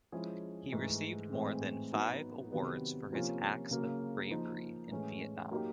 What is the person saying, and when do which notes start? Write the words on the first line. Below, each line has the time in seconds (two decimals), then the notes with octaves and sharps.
He received more than five awards for his acts of bravery in Vietnam.
0.12 F3 G#3 C#4 E4 G#4
0.72 G#2 E3 A3
1.32 A2 E3 G#3 C4
1.92 F#3 B3 D#4
2.52 C3 D#3 F#3 B3
3.11 C3 F3 A#3 C#4 F4
3.71 C#3 F#3 A#3
4.31 F3 A#3 D#4
4.90 A2 E3 G#3 C#4
5.51 F#3 A#3 D#4 G4